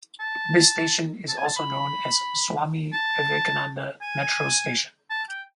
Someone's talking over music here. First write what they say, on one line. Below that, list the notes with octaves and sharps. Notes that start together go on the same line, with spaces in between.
This station is also known as "Swami Vivekananda metro station".
A5
A5
G#5
A5
B5
A5
G#5
A5
G5